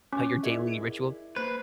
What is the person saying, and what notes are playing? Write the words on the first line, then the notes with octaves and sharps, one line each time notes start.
about your daily ritual?
C#4 C#6 D6
E4 G#4 A#4 D5 D#5
A#3 B4 C5